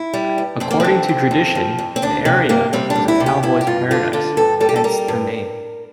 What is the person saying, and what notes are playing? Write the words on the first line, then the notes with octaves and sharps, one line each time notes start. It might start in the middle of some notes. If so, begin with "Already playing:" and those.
According to tradition, the area was a cowboy's "paradise", hence the name.
Already playing: E4
G3
G2
F2 C4
A#3
D3 C4
D3
F2
F3
F2
C4
D2 D4
C3 C4
C3 A#3
G3 C4
D4
D2
E4
C3
G4
G2 E4
G4
G2 F4
D3 F4
D3 F4
G2 A4
G3 A4
G4
A4
G3 A#4
G2